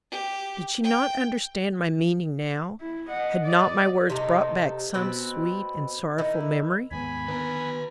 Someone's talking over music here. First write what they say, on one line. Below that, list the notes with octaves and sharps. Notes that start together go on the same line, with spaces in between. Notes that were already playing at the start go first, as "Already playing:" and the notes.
Did she not understand my meaning now--had not my words brought back some sweet and sorrowful memory?
G4
G5
E4
D#5 F#5
D5 D#5
C3 A3 D#4
B2 C4 B4
D#3 E4
D#2 G#2 B3 G#5 B5
D3 D#3 B3 B4 A#5